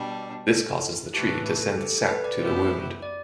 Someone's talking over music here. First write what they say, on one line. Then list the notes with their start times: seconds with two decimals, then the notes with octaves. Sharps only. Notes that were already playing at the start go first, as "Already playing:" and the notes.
This causes the tree to send the sap to the wound.
Already playing: B2 G3 D4
0.51 A4
1.14 A2 E3 A3 G4
1.30 B4
1.61 A4
1.77 G4
1.92 A4
2.08 B4
2.24 D5
2.39 F#2 F#3 B3 E4 G4 C5
3.02 D5